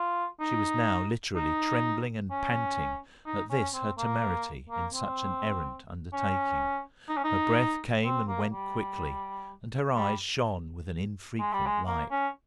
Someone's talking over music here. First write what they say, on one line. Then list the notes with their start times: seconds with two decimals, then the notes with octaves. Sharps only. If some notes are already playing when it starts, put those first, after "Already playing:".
She was now literally trembling and panting at this her temerity in such an errant undertaking; her breath came and went quickly, and her eyes shone with an infrequent light.
Already playing: F4
0.40 D#4
1.36 D#4
2.31 C#4
3.26 D#4
3.50 C#4
3.74 C4
3.98 A#3
4.70 A#3
4.94 C4
6.13 C#4
7.09 D#4
7.17 C#4
7.24 D#4
8.04 C4
8.28 A#3
8.52 G3
9.96 G3
11.39 G#3
11.53 G3
11.66 G#3
11.87 A#3
12.11 C#4